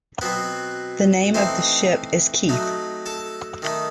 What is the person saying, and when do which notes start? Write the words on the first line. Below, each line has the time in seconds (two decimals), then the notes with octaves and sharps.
The name of the ship is Keith.
0.21 B2 F#3 B3 C4 B4
1.34 E3 A3 C4 D#4 C5
2.49 F#3 A3 D#4
3.06 A4 A5
3.62 D#3 A3 D#4